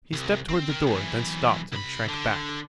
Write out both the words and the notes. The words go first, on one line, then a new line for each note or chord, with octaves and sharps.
He stepped toward the door; then stopped and shrank back.
C2
C4
A#4 G5
B1 E3
C2 B5
D3